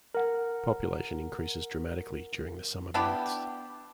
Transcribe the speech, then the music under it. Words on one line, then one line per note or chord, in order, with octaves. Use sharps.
Population increases dramatically during the summer months.
A#4 F#5
B3 D4 E4 G4